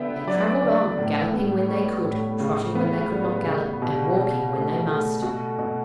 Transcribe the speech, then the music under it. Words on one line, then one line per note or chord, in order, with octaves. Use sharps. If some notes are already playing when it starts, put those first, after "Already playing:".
They traveled on, galloping when they could, trotting when they could not gallop, and walking when they must.
Already playing: D3 B3 E5 G5
F#3 D5
D3
A2
B3
G3 C#5
A2
C#3
B3
G3
C#3
B2 G4
B2
A3
A3
B2 F#4
B2